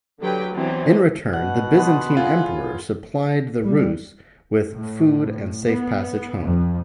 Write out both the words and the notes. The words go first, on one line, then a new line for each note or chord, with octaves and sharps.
In return, the Byzantine emperor supplied the Rus' with food and safe passage home.
D3 F#3 G4 B4 G5
E3 F#3 B3 C4 D4
B2 F#5
B3 C6
A2 F4 G#4
G3
A2
B3
F2